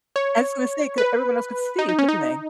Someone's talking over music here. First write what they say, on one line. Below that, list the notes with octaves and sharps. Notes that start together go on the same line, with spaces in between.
I was gonna say 'cause everyone else could see you, couldn't they?
C#5
B4
D#4
D#4
C#4
D#4